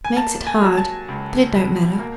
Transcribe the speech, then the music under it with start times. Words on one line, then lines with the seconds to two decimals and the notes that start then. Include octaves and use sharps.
Makes it hard; but it don't matter.'
0.04 G#5
0.16 A#3 A5
0.47 G#5
0.62 F#3
0.77 A5
1.08 C#2
1.54 B2
1.99 A#3